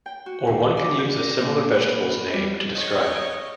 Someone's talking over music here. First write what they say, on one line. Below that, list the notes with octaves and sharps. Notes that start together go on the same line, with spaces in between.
Or one can use a similar vegetable's name to describe it.
G5
F#4
D#2
D5
G6
A#4
A#2
B4
F#4
G3
C#5 D#5